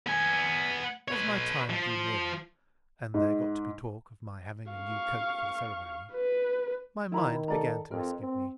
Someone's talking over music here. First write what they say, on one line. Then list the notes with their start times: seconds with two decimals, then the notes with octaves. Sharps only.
As my time drew nearer, and there got to be talk of my having a new coat for the ceremony, my mind began to misgive me.
0.07 B3 G#5
1.08 B4 C#5
1.70 F3
3.14 G#2
4.72 F5 C#6
6.14 B4
7.12 D#3 E4 A#5 B5
7.48 A4 D5 A#5
7.91 F2 A#4
8.21 C4